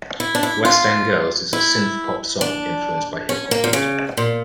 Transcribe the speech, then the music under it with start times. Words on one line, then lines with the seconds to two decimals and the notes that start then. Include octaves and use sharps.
"West End Girls" is a synthpop song influenced by hip hop music.
0.20 E4
0.35 D4
0.43 E4
0.65 F4
1.53 E4
2.41 D4
3.29 C#4
3.51 A#3
3.64 A#2
3.73 C#3
4.17 A#2